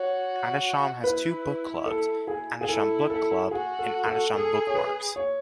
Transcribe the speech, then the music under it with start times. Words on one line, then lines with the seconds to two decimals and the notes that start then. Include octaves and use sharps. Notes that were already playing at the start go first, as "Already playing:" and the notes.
Adisham has two book clubs: Adisham Book Club and Adisham Bookmarks.
Already playing: F#4 C#5
1.03 E4 B4
1.86 A4
2.27 G#4
2.61 G#4
2.69 E4 A4
3.10 A4
3.51 F#4 G#4
3.79 A4
4.06 A4
4.33 G#4 A4
4.67 C#5
4.75 B4
5.16 C#5